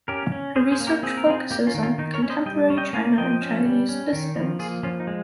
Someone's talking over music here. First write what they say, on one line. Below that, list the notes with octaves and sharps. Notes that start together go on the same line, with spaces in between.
Her research focuses on contemporary China and Chinese dissidents.
C#4 G4 A#4
C#4
C#4 G#4 C5
G#4 C5
A#3
G4 A#4
C4 G#4
A#4
C4 F4 G#4
A#3 D#4 G4
C#4 F4
D#3
C#4 F4
D#3 D#4
A#4 C#5
C#4
C5 D#5
G3 D#5 G5
C#4
D#5 G5
A#3 F5 G#5
F3 D#5 G5
C#4
G3
C#4
D#3
F3
A#3 F4 G#4
F3 C#4 F4
D#4
G#3